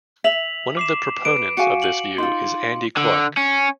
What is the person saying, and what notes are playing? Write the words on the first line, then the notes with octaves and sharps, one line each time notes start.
One of the proponents of this view is Andy Clark.
E5 B6 F7 F#7
D6 C7 E7
B4 D7
F#4 F5 G#5 C#7
F#7
D#4 F4 C6
D3
C#4